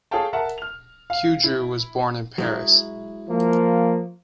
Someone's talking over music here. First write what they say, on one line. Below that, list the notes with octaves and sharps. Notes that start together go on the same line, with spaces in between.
Queudrue was born in Paris.
G#4 A4 C#5 F5 G5 A5
A#4 E5 F#5 A5
F6 F7
F5
E4
F#3 G#3 E4
F3 A#3